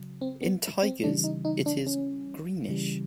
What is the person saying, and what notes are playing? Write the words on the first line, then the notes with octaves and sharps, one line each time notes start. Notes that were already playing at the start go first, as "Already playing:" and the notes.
In tigers it is greenish.
Already playing: C#3 F#3
C4
B3
C4
C#3 E3 G3 D4
D#4
D#4
D4
C#4
C#3 E3 G3